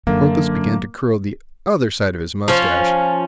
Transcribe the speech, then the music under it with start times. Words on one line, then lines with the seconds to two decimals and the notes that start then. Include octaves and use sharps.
Porthos began to curl the other side of his mustache.
0.07 F#2 D3 F#3 A#3
2.48 F3 C#4